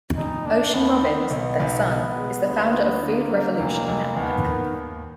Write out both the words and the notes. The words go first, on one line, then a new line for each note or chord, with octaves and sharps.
Ocean Robbins, their son, is the founder of Food Revolution Network.
F1 D#4
A#3 D4
D#2 B3
D#3
B1 B3
B1
B2 B3
G#3
D2 B3
D4
D3 A#3
F#3
F1
F1
D#2 B3
D#3
D#2